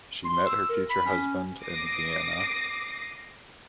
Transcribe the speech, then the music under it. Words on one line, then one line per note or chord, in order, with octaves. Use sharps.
She met her future husband in Vienna.
C6
E6
A#4
B5
C#4
D6 D#6 A#6 C7